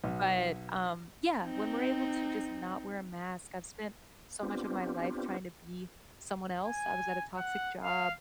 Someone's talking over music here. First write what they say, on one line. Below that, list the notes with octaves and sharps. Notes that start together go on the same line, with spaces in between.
but, um, yeah, when we're able to just not wear a mask, I've spent so much of my life trying to be someone else. I was at a toxic job
B1
C4 D#4
B3 C4 D4 F4 G4
G#5
F#5
F5